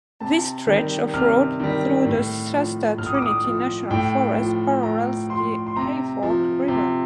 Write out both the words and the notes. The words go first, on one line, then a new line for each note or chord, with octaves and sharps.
This stretch of road through the Shasta-Trinity National Forest parallels the Hayfork River.
C3 A5
D#3 G3
C3 F6
D#3 G3
A2
F3
A2 F6
D#6
D6
D#6
F3
A2 G5
F3
A2 A#5
F3 C6
C6
C3 A#5
F3
C3